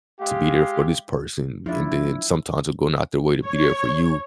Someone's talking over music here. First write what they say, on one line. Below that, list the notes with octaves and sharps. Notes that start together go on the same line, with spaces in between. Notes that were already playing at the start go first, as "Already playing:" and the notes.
to be there for this person, and then sometimes they're going out their way to be there for you,
G#3 G4 F5
F3 D4 E4
C#5